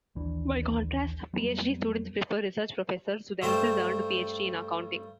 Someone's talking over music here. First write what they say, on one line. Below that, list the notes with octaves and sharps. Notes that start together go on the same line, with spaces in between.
By contrast, PhD students prefer research professors who themselves earned a PhD in accounting.
A#1 D#2 E3 D4
F2 F#3 G3 B3
G2 A3 C5 G5